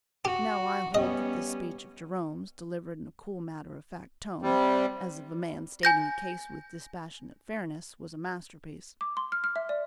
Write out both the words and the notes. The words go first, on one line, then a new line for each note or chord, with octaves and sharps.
Now, I hold that this speech of Jerome's, delivered in a cool, matter-of-fact tone, as of a man stating a case with dispassionate fairness, was a masterpiece.
F#4 G4
G3 B3 C#4 D#5
C3 G3
G#5 G6 A#6
D6
C6
F6
F6
E5
D5